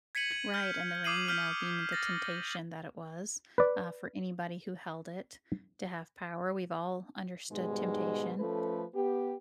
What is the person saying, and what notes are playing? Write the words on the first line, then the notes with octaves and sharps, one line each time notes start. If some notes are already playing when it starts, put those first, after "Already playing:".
Right, and the ring, you know, being the temptation that it was, uh, for anybody who held it to have power; we've all understood temptation.
G#6 B6 C#7 D#7 F#7
F6 G6
D6 D#6 C7 D#7 F#7
F6 G6 B6
A6 A#6
B4 D5
G#2 B2 D#3 G3 G#3
F3 A3 C#4 A4 B4
B3 G4